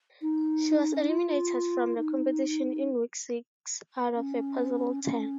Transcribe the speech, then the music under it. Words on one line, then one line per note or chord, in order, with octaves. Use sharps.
She was eliminated from the competition in week six out of a possible ten.
D#4
C#4
D#4
F4
D#4
C#4
C#4